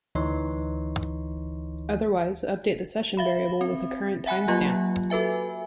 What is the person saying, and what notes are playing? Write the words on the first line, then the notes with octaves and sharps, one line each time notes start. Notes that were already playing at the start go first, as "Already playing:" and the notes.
Otherwise, update the session variable with the current timestamp.
D2 E3 D#4 C#5 C6
E5 F5 B5
C4
E5 F#5 G#5 B5 F#6
F#3 A#3 F4 G4
F#4 A4 B4 E5 G#5